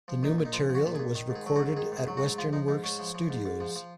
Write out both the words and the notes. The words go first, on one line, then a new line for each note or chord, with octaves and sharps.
The new material was recorded at Western Works studios.
F3
A#2 D#4
A#2
D#4
F3 F4
F3
F#4
A#2
G#4
A#2
D#3
G#2
G#4
F#3
F#4
G#2
D#3 G#4
G#2 G#4
F#3
F#4
G#2
F3 F4
F3 D#4
G#2 D#4
G#2 C#4
F3
F3
G#2
G#2
F3
F3